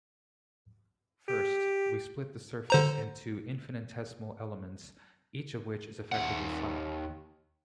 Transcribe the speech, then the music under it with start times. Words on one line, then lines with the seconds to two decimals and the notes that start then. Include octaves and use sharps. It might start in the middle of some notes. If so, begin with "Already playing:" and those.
First, we split the surface into infinitesimal elements, each of which is effectively flat.
1.28 G4
2.70 D3 C5 A#5
6.12 D#2 F#5